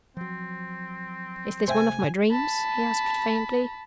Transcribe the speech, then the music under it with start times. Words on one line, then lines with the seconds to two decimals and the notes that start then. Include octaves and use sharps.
"Is this one of my dreams?" he asked, faintly.
0.17 F3 F#3 C4
1.68 C3 A3 C5 E5 G5 G#5
2.31 A5 B5